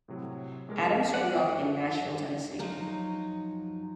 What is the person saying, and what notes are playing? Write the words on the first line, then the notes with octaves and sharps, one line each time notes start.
Addams grew up in Nashville, Tennessee.
A2 C3 F#3
A#1 G#3 A#4
C5 D5 F#5 D#7
F3 F#3 D#4